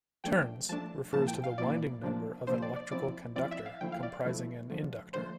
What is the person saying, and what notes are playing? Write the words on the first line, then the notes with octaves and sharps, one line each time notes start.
"Turns" refers to the winding number of an electrical conductor comprising an inductor.
F3 A3 D4 G5
F3 A3 D4 A5
A#2 F3 A#3 E4 A5
G5
F5
A#2 F3 A#3 E4 D5
C3 F3 A#3 D4
C3 F3 A#3 D4 C5
D5
D5
F3 C4 E4 D5
F3 C4 E4 D5
E5
F5
D3 F3 A3 E4 G5
F5
D5
D3 F3 A3 E4
D3 F3 A3
D3 F3 A3 C5